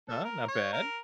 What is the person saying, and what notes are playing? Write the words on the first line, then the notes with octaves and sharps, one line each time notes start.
Uh, not bad.
A4
A#4
C#5
A#4